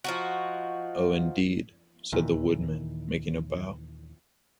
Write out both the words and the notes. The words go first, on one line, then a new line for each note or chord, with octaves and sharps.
"Oh, indeed," said the Woodman, making a bow.
F3 D#4 F#4
D#2 A#2 D#3 E3